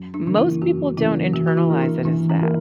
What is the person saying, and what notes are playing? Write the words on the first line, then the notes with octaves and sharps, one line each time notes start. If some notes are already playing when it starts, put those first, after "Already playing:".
most people don't internalize it as that.
Already playing: F#2
D4
C#3 E3 A#3 D4
E4
F#2 F#4
C#3 E3 A#3 E4
E3 F#4
F#4
E4
A#3 E4 A#4
D4
E3 D4
C#4
A#3 E4 A#4